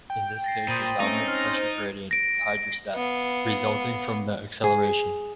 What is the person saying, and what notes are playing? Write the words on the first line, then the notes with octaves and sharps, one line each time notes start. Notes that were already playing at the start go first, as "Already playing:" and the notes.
In this case the dominant pressure gradient is hydrostatic, resulting from the acceleration.
G5
A6 A#6 C7
A#2 C5 B5 D#6 A6 D#7
A3 C4 C#4 D#4 D#6 A#6 D7
C5 F6 A#6
A#6 D7
B3 F5
G#4